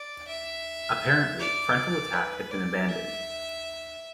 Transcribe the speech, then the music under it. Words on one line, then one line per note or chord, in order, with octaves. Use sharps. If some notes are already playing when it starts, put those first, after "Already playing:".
Apparently frontal attack had been abandoned.
Already playing: D5
E5
D5
B4
D5
E5